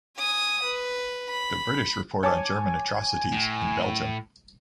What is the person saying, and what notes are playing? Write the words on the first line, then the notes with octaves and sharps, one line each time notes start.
The British report on German atrocities in Belgium.
G#5 D#6
B4
B5
C#5 G#5 A5 D6
A2